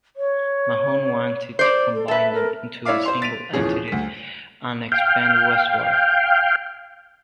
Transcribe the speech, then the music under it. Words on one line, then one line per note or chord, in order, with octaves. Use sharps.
Mahone wanted to combine them into a single entity and expand westward.
C#5
C5 D5
A4
A4 B4 E5
A#4
E4 C#5 D5 E5 F5 D6
C5 C6 F7
A6 B6 D7 D#7 F7
D1 E3 F3 C#4 G#4
D2 B6
F5 G5